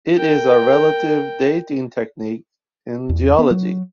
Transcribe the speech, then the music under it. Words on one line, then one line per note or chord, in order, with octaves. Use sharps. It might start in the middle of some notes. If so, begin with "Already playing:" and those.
It is a relative dating technique in geology.
A#4 G5
E2
B3
F#3